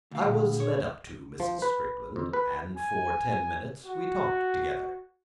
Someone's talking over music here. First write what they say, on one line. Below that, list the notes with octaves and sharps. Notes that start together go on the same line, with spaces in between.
I was led up to Mrs. Strickland, and for ten minutes we talked together.
D2 F5
A#2 G#4
C#5
F3
B4
F2
B4
G#5
F#4